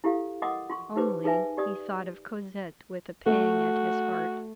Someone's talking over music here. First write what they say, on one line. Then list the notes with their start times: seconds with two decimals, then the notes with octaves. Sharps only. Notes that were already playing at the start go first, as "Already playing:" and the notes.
Only, he thought of Cosette with a pang at his heart.
0.04 E4 G4 A4 F5
0.42 A#4 D#5 F#5 C6 D6 D#6
0.70 F4 C6 C#6
0.96 D#4 G4 B4 C5 D6
1.24 D#4 G#4 B4 E5 G#5
1.57 G4 D5 D#6
3.26 A3 F#4